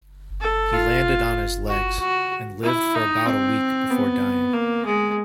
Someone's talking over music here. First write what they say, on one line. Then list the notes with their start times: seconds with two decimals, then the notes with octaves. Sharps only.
He landed on his legs, and he lived for about a week before dying.
0.41 A4
0.73 F4
1.67 F#4
1.99 F#4
2.63 E4
2.95 D#4
3.27 C4
3.90 B3
4.53 A#3
4.85 G#3